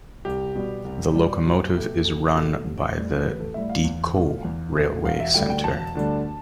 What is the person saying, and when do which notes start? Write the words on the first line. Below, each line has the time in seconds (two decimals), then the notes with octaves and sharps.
The locomotive is run by the Didcot Railway Centre.
0.25 C2 G4
0.55 B2 G3
0.85 C2
1.15 B2 G3
1.46 B1
1.76 B2 A3
2.05 B1 A4
2.35 B2 A3
2.64 A1
2.96 A2 G3
3.26 A1 B4
3.40 A4
3.54 A2 G3 E5
3.69 F5
3.84 E2
4.14 B2 A3
4.44 E2
4.74 B2 A3
5.05 E1 F5
5.20 E5
5.34 D2 D3 G3 G5
5.50 G5
5.64 E1 A5
5.95 D2 D3 G3